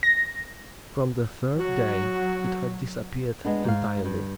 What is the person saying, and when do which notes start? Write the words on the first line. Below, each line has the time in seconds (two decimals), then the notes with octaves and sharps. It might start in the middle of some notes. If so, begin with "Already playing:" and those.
From the third day it had disappeared entirely.
0.03 A#6
1.58 F#3 F#4
3.44 G#3 B3 D4
3.64 G#2 F5
4.05 G2